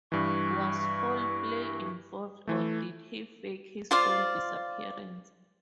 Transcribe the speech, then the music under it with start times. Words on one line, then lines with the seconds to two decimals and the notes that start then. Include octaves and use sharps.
Was foul play involved, or did he fake his own disappearance?
0.12 G2 E3 C#6
2.47 E3 A3
3.91 F4 C5 D5 F5